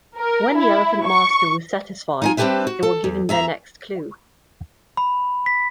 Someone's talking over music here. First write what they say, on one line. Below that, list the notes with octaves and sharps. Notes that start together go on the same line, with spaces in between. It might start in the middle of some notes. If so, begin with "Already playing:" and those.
When the elephant master was satisfied, they were given their next clue.
A#4
E4
C#6
D#4 F4 G#5
G3 C4 D4 G4 B4 E5
F#4
A4
E2
E2 E5 A#5
B5
B6